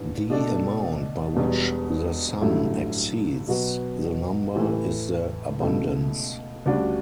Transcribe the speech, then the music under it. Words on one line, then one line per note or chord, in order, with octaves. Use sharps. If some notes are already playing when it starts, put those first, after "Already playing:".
The amount by which the sum exceeds the number is the abundance.
Already playing: A1 G2 E3
B2 A3 D4 A4
E1 E2 B2 G3
A1 G2 F#3 A3 E4
B2 F#3 B3 F#4
A2 E3 A3 E4 G4
C#2 B2 A3 E4
D2 C#3 G3 D4 F#4